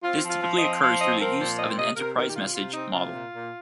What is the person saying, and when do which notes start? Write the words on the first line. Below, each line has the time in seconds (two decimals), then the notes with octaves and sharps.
This typically occurs through the use of an enterprise message model.
0.04 C4 F4
0.24 F3
0.29 F4
0.43 F3
0.56 D#5
0.62 C4
0.82 F3 F5
1.00 C4 D#5
1.19 F3 A#4
1.39 A#2 C5
1.58 C4 D#5
1.70 C5
1.78 C3 D#5
1.96 C3 A#4
2.16 D#3 A#4
2.29 G4
2.35 C3 F4
2.54 C3 F4
2.73 C4 D#4
2.93 C3 F4
3.13 A#2
3.31 A#2